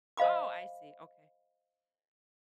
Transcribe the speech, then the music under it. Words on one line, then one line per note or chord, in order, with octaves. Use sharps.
oh, I see, okay.
C5 D#5 F5 B5 D6